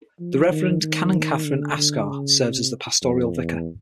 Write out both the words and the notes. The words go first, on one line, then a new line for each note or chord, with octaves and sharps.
The Reverend Canon Catherine Ascah serves as the Pastoral Vicar.
F3
D#3
D#3
D3
D3
C#3
C3
F2
E2